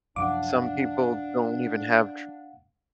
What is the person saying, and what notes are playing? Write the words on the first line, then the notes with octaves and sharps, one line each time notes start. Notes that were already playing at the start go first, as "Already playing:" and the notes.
Some people don't even have dr
C2 F#2 F3 D4 F5 F#5 D6